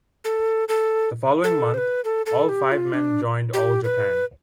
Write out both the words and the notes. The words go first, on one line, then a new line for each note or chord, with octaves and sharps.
The following month, all five men joined All Japan.
A4
A4
A4
C5
B4
A4
A4
G4
F4
D4
G4
B4